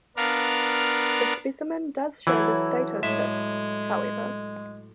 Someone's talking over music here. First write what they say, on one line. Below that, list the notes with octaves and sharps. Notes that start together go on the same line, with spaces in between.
The specimen does show the statocyst, however.
B3 D4 A#4 F5
E3 F#3 E4 A4
A2 G#3 E5